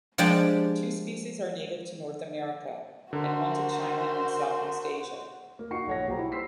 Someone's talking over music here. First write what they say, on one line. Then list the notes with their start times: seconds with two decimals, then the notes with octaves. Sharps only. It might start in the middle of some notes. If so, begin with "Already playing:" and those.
Two species are native to North America, and one to China and Southeast Asia.
0.18 F3 G#3 D4 G4 D5 G5
3.13 D3 F#4 A#4 C5
5.59 A#3
5.71 D#4 F4 F#4 C#6 C7 C#7
5.87 A#1 A4 C#5 F#5 A#6
6.07 B1 G4 C5 A#5
6.19 E4 F#4
6.32 C5 C6 E6 B6 C7